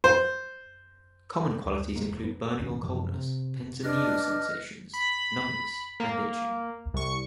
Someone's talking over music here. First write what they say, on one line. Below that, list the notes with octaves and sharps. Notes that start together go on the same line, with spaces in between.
Common qualities include burning or coldness, "pins and needles" sensations, numbness and itching.
C5
D2
E1 F2 G#3 A#3
B3
G1 D#2 B2 C#4
F#1 F#2 C3 F3
C3
D4 B4 D#5 F6
B5
A#3
C2 C#6